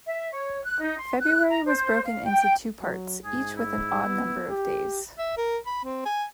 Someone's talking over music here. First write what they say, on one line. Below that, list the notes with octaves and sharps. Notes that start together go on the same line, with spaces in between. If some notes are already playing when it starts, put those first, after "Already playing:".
February was broken into two parts, each with an odd number of days.
E5
C#5
F#6
D#4
C6
F#6
A#5
C5
F5
G5
F#3
G#2 G#4
E4
B3
G4
E5
A#4
B5
C4
G#5